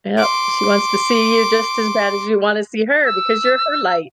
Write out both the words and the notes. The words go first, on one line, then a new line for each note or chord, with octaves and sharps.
Yep, she wants to see you just as bad as you wanna see her, because you're her light.
C6 D6
E6